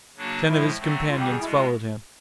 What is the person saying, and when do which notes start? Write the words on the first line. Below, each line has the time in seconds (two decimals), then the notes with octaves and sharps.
Ten of his companions followed him.
0.16 C#3 F#3 A#3 D4 F#4
0.47 A2 F3 G#3 E4
0.79 D3 F#3 A3 C4
1.09 F2 D3 G3 F4
1.20 G4
1.31 G#4
1.40 B2 E4
1.43 G#3
1.57 F4